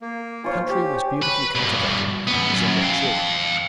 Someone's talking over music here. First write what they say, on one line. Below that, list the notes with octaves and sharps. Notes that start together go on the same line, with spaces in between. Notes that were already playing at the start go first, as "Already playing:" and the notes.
The country was beautifully cultivated, and resembled Chile.
A#3
F4 C5 C#5 G#5
G4
B4
G2 B2
F#2 B3
F#2
F5 G5